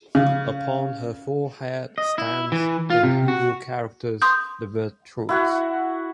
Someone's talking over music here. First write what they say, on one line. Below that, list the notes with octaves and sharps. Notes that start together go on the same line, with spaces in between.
Upon her forehead stands, in Hebrew characters, the word truth.
C#3
D#5
E4
E3
F4
C3
F#4
C6 D#6 G6
E4 F#4 F#5